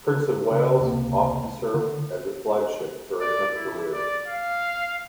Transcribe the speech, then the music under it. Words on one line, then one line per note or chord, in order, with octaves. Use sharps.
"Prince of Wales" often served as a flagship during her career.
C#3
E1 C#2 C3 A#3
D3
D5
E4
D5
F5